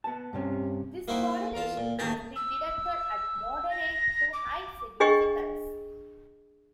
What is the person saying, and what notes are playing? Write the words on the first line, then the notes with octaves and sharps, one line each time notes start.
This correlation has been detected at moderate to high significance.
B3 A5
G2 C3 C#4
A#3 D#4 E4 F#4 C5 G5
E2 F4 A5
A#2
A1 D#2 G#4 G5 A5 A#5
E6
A#6
D6
D4 G#4 D#5 G5 C#6